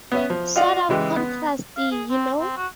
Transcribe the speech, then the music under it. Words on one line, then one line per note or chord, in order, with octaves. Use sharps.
Sort of contrasty, you know?
B3 C#4 E5
F3
F4 D5 D#5 F5 F#5
C#3 E3 G#3 G4
B3
F5
G#4
C4
C4
F#4